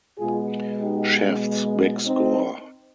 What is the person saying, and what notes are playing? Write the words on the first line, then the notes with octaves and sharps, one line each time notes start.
Shaft's Big Score!
B2 G#3 B3 F4 G#4
D#4 G4
C4 D#4